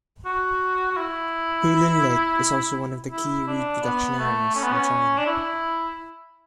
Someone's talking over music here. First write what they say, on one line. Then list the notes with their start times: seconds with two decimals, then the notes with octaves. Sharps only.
Hulun Lake is also one of the key reed production areas in China.
0.25 F#4
0.91 F#4
0.97 E4
3.11 E4
3.47 D4
3.83 B3
4.19 A3
4.55 C#4
4.64 B3
4.73 C#4
5.18 D4
5.26 E4